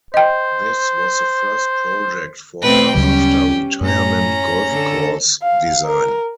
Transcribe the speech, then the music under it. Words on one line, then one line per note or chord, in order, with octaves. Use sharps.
This was the first project for her after-retirement golf course design.
C5 D#5 G5
B2 A3 C4 B4 G5
D2 C#3 F#3 G3 C#4 G4
F#2 A2 C#4 A#5
D3 A4
F5
A#4